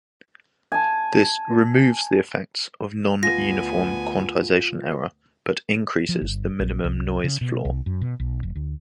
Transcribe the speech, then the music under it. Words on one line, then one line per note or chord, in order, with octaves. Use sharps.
This removes the effects of non-uniform quantization error, but increases the minimum noise floor.
G#5 A5
D2 B3 F4 G#5 A#6
F3
G1
A#1
C2
C#3
B2
C2
F#2
B2
B1
F1
D2